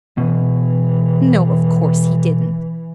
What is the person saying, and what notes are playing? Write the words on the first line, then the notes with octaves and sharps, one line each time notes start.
"No, of course he didn't."
B2 E3